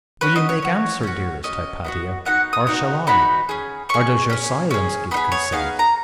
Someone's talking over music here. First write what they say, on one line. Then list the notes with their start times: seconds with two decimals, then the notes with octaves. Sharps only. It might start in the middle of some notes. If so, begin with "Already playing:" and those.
Will you make answer, dearest Hypatia, or shall I?....or does your silence give consent?
0.21 C#4 F#4 B4
0.36 D#5
0.49 C#5
0.62 C#4 F#4
1.03 C#4 F#4
1.44 C#4 F#4 D#5
1.85 B3 D#4 F#4
2.25 B3 D#4 F#4 F#5
2.53 D#6
2.67 B3 D#4 F#4
3.07 B3 D#4 F#4 B5
3.49 C#4 G#4
3.89 C#4 G#4 C#6
4.30 C#4 G#4
4.71 C#4 G#4
5.11 B3 D#4 B5
5.17 G#4
5.32 C#5
5.52 B3 D#4 G#4 F5
5.79 A#5